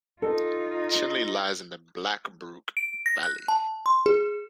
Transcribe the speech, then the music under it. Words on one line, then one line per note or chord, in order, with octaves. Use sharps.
Chinley lies in the Blackbrook Valley.
D#4 F4 A4
D7
A#6
F#6
A5
C6
G#4